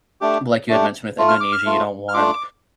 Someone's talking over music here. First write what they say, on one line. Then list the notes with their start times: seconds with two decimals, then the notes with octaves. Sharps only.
like you had mentioned with Indonesia, you don't want
0.21 A3 D4 G4
0.69 A3 D4 G4
1.18 A3 F4
1.29 F6
1.41 D6
1.52 F6
1.66 A3 F4
2.09 F6
2.14 A3 D4 F4 D6